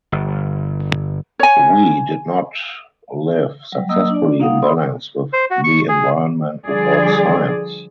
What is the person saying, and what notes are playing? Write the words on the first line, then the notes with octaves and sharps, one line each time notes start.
We did not live successfully in balance with the environment without science.
G1
C#5 G#5
F#3 G3
F#3 A#3 D#5 D#6 E6
D4 D5
A#3 D#4 F5 F#5 D#6
D5 E5 B5 C6 D#6
C5
F#4
C#6
G#4
D3 F3 G3 G#4 D5